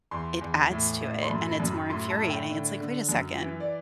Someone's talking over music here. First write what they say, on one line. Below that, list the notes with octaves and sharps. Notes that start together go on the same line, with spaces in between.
it adds to it, and it's more infuriating. It's like, "Wait a second.
E2 C6
E2
A2
A2
C6
F#2 B5
B5
F#2
B5
A2 C6
A5
A2
G5
D3
D3
F#2
E3
D5